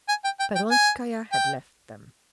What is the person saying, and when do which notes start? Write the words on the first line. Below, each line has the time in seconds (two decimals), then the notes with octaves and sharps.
Peronskaya had left them.
0.09 G#5
0.25 G5
0.40 G5
0.55 G5
0.71 G#5
1.32 G5